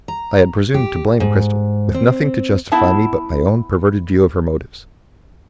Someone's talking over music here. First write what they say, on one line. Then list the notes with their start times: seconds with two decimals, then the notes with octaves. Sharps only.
I had presumed to blame Cristel, with nothing to justify me but my own perverted view of her motives.
0.08 A#5
0.74 G4
1.20 G#2
1.94 C4
2.72 B3 E4 E5 A5